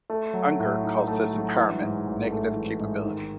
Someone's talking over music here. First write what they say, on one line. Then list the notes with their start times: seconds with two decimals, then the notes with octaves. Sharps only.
Unger calls this empowerment negative capability.
0.10 A3
0.34 F#3
0.59 A2
0.83 D#4
1.08 A3
1.33 F#3
1.57 E3
1.82 G#2
2.07 A1
2.31 A3
2.56 E3
2.80 G#2
3.05 D#3